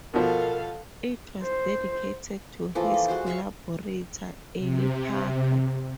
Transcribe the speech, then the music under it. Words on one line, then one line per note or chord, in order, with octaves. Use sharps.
It was dedicated to his collaborator, Ely Parker.
B2 F3 A4 A#4 F5
C5
E3 F3 A#3 A4
A4
G#3 F#4 C5
F#4 E5 F5 C#6
C3